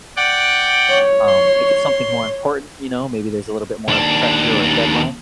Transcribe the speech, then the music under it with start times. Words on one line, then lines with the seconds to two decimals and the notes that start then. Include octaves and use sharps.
Um, If it's something more important, you know, maybe there's a little bit more of pressure or a deadline.
0.16 D5 F#5 G5
0.89 C#5
1.27 C6
3.88 D#2 D4